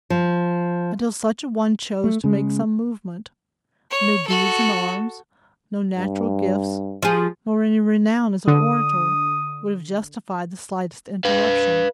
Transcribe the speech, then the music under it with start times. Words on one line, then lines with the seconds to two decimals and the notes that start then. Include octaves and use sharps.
Until such a one chose to make some movement, no deeds in arms, no natural gifts, nor any renown as an orator, would have justified the slightest interruption.
0.10 F3
2.04 A3
2.24 C#3 G#3
3.91 C#5
4.28 F#4 A4
5.97 G2
7.02 F3 G#4
8.47 D3 D#6
11.25 B4 F5